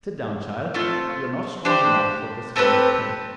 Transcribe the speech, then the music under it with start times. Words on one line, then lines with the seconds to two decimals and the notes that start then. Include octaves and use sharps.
"Sit down, child; you are not strong enough for this kind of thing."
0.74 A3 C4 F4
1.65 D4 G4 C5
2.56 A3 C4 G4 B4